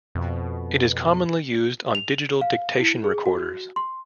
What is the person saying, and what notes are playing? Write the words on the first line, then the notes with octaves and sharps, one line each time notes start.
It is commonly used on digital dictation recorders.
F2 B2
F7
F5
E4
G#4
F#4
C6